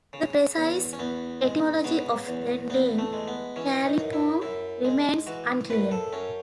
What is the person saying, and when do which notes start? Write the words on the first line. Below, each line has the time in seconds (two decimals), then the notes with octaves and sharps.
The precise etymology of the name "Kalimpong" remains unclear.
0.13 C#3
0.56 E2
0.93 C#4
0.99 E2 B3
1.41 G#3
1.84 C#3 B3
2.27 E2
2.70 E2 B3
2.98 A3
3.13 G#3
3.28 B3
3.56 E3 C#4
3.85 D#4
3.99 F#2
4.13 E4
4.42 F#2 E4
4.85 G#3
5.27 E3 F#4
5.70 F#2 B4
5.91 A4
6.13 F#2 C#4